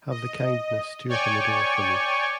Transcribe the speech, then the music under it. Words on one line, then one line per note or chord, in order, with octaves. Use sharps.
Have the kindness to open the door for me.
D#5
C#5 D5 G5 G#5 C#6